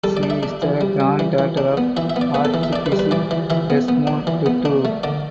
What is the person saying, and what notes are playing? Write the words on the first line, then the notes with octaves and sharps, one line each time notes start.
She is the granddaughter of Archbishop Desmond Tutu.
G3 A4
D5
D4
E5
D4
E3
G3
G3
E3
E3
D4
B3
E3 E5
E5
B3
D5
B3 B4
A4
E3
E5
D4 D5
B4
G3
B4
E3 D5
E3
E3 E5
B3
B3
D4
E3
B3
D4
A3
D3 D5